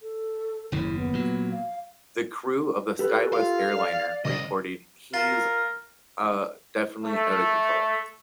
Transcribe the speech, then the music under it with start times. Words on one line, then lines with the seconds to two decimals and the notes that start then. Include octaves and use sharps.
The crew of a Skywest airliner reported "He's, uh, definitely out of control".
0.01 A4
0.72 F#1 D#2 C#3 E4
0.96 B3
1.13 A#2 F#3
1.51 F5
2.99 G4 A4 B4 B5
3.33 F4 F5
3.75 D5
4.25 C2 C#3 D#5
5.14 F4 A#4
7.05 A3